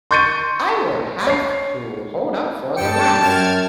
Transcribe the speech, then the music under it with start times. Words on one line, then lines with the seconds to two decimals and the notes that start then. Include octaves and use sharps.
I would have to hold up for the laugh.
0.11 C6 C#6 G6 A6 C#7 D#7
1.27 C#5 C7
2.77 G2 G5 A5 C#7
3.22 F#2 F6 G#6